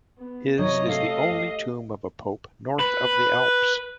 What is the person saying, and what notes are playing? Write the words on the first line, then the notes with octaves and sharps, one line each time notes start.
His is the only tomb of a Pope north of the Alps.
B3
C3 F#3 C#5 D#5
A3 A4 F5
G4
B4